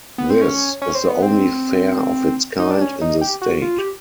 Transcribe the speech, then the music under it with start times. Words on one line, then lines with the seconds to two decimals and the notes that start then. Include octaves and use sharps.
This is the only fair of its kind in the state.
0.18 B3
0.30 C4
0.42 C#4
0.82 C#4
0.95 C4
1.09 B3
1.22 C4
2.59 D#4
2.71 D4
2.81 C#4
3.01 D#4
3.21 G4
3.42 F#4
3.62 F4
3.78 G4